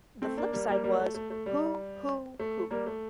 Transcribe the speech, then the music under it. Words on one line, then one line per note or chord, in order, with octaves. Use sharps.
The flip side was "Who Who Who".
A3 C4
A#3 D4
G3 A#3
G3 A#3
G3 A#3
A3
A3
A3
G3
A3
G3 A#3
A3